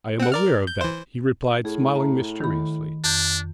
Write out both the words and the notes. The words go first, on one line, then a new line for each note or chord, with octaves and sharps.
"I'm aware of that," he replied, smiling mysteriously.
C4 F#5
A#4 D5 F6
G6
E3 C5
A2 G#4
E5 A5 A#5
D#3 B5
F2 D4 G6